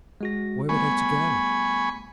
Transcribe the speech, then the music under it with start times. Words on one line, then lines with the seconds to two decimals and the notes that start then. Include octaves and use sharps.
Where were they to go?
0.21 G#3 F#4 A#6
0.69 G3 A3 B3 G#5 B5 C#6